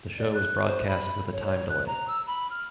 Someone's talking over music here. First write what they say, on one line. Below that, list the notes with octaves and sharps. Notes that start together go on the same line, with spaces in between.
The show is broadcast with a time-delay.
D5
F#6
C5
B5
C#5
C#5
F#6
A#5
E6
B5
F6